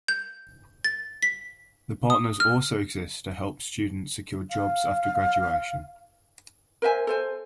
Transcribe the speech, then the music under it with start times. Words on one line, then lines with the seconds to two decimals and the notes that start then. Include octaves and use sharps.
The partners also exist to help students secure jobs after graduation.
0.08 G6
0.84 A6
1.22 B6
2.10 D#6
2.40 F6
4.51 F5
6.82 A#4 C5 E5 G#5
7.07 A4 C5 G#5